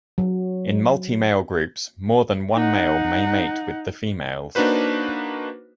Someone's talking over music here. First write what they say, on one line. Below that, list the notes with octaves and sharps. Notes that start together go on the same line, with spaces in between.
In multi-male groups, more than one male may mate with the females.
F#3
D#4 F#5
A#3 D4 D#4 F#4 B4 C5